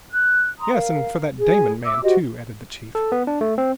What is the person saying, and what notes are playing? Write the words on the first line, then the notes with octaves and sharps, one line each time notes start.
"Yes, and for that Damon man, too," added the chief.
F#6
A#5 C6 D#6
A#4 F5
G#4
E5 D6 E6
F#4 G4 C5 D#5
A4
B3
D4
A3
C4